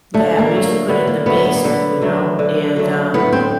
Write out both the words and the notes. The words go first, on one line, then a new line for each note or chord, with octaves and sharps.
Yeah, we used to put it in the basement, you know, and, um,
D3 A3
A#3
F#3 A3
A#3
D3 B3
A#3
F#3 A3 B3
B3
A#3
D3 B3
F#3 A3
D3
F#3 A3
A2 B3
C4